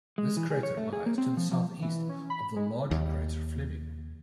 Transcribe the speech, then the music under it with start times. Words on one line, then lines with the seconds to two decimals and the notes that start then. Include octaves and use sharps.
This crater lies to the southeast of the larger crater Fleming.
0.18 G#3
0.37 E3
0.50 G#4
0.63 C#5
0.77 A3
0.93 G#4
1.06 A#3
1.18 C4
1.37 F3
1.52 F3
1.82 E3
2.09 C#4
2.30 B5
2.56 G#3
2.91 D#2